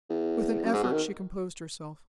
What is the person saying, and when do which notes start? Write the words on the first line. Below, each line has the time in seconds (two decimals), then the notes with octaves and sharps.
With an effort she composed herself.
0.09 E2
0.65 F#2
0.74 G#2
0.83 B2
0.92 D#3